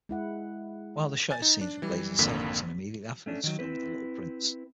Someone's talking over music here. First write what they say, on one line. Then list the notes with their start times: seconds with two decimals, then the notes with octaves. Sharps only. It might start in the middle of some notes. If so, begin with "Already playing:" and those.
Wilder shot his scenes for "Blazing Saddles" and immediately afterwards filmed "The Little Prince".
0.09 G#3 E4 F#5
1.30 G#5 A6
1.42 D#4
1.61 D4
1.82 E3 G3
2.19 G#1 F2 D3 A#3 B6
3.26 A3 C#4 D4
3.44 D#3 F#3
3.59 C4 E4 B4